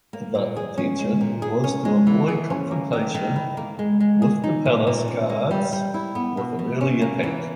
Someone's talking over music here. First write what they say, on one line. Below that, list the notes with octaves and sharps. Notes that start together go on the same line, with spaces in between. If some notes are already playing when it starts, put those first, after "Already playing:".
The intention was to avoid confrontation with the palace guards with an early attack.
A#3
A#2
G#4
C#4
G#3
A#2
G#4
C#4
G#3
E3
G#4
C#4
A#3
D#3
D#3
E4
A#3
G#3
G#3
G#4
D#4
A#2
A#2
C#4
A#3
G3
G3
E4
B3
B2
B2
C#4
A#3
E3